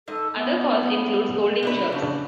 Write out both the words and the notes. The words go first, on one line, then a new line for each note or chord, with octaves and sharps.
Other calls include scolding chirps.
G#2 A4 D#5
B3
C3 D4 F#4 B4
C#3 D4